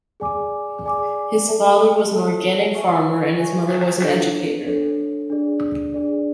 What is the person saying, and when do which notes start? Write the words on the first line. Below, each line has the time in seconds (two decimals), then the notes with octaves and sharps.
His father was an organic farmer and his mother was an educator.
0.20 G#4 D5 G#5 D6
0.84 G#4 D5 G#5 D6
1.48 A4 E5 A5
2.11 A4 E5 A5
2.75 C#5 E5 G#5 C#6
3.39 C#5 E5 G#5 C#6
4.03 D4 A4 C#5
4.66 D4 A4 C#5
5.30 D4 G#4 D5
5.94 D4 G#4 D5